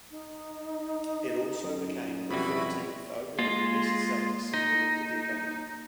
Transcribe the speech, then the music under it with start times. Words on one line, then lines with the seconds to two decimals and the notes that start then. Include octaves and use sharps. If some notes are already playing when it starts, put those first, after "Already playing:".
It also became the thirteenth overall best-selling single of the decade.
0.10 D#4
1.64 F#2
2.31 F2 B2 G3 E4 F#4 B5
3.39 G#3 A#3 F4
4.54 D#4